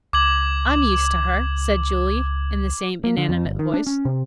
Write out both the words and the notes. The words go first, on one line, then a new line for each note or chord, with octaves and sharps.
"I'm used to her," said Julie, in the same inanimate voice.
C#2 D6 G#6 F#7
A#3
D3
F2
G1
D#3
D4
C#4
C3